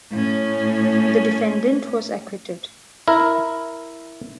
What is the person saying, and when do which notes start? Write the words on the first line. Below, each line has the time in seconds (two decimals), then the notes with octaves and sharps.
The defendant was acquitted.
0.11 A2 C#4
3.08 E4 A#4